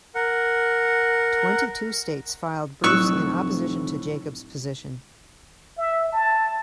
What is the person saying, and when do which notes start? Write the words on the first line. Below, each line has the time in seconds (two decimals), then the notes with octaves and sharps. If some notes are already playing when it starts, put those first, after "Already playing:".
Twenty-two states filed briefs in opposition to Jacob's position.
0.15 A#4 F#5
2.84 F1 A2 F#3 C#6 E6 F#6
5.78 E5
6.13 A5